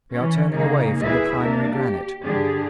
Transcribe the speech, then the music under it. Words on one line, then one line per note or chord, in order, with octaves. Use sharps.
We are turning away from the primary granite.
E3 C#4
C#3 A#3 D#4 G#4
D2 E4 G#4 B4 E5
A#3 D4 A#4
G4
G2 D3 D4 G4 G#4